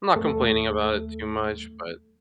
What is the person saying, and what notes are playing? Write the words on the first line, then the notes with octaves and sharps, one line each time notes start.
I'm not complaining about it too much, but,
D#2 A3 A4